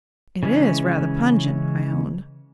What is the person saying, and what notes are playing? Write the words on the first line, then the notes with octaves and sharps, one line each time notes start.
"It is rather pungent," I owned.
C#3 E3 G#3 C#4